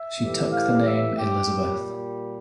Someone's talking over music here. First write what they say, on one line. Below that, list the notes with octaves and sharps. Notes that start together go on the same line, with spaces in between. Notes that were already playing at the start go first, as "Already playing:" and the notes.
She took the name "Elizabeth".
Already playing: E5
A2 E3 G3
F5
E5
G4
A#2 G3